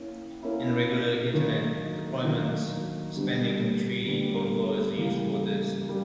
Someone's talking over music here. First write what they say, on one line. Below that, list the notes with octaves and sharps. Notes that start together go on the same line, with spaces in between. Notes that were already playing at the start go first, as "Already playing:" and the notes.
In regular Ethernet deployments, Spanning Tree Protocol is used for this.
Already playing: A#3 C#4 E4
A#3 C#4 E4
D#3 F#3 A#3 D4
D#3 F#3 A#3 D4
D3 G3 B3 D4
D3 G3 B3 D4
C#3 E3 G3 A#3
G3 A#3